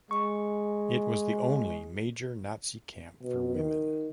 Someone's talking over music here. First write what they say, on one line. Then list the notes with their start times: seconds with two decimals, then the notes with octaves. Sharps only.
It was the only major Nazi camp for women.
0.11 G#3 C#6
3.23 B2
3.55 D#3